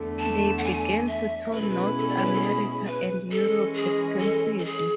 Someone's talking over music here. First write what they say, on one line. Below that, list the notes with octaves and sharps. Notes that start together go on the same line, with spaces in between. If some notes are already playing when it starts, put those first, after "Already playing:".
They began to tour North America and Europe extensively.
Already playing: E2 D3 A3
A5
F#5
G#5
E5
B2 G#3 C#4 E4 B4
A4
B4
A4
D5
C#5
B4
A4
G#4
B4
E3 G#3 C#4 A4
G#4
A4
A4
G#4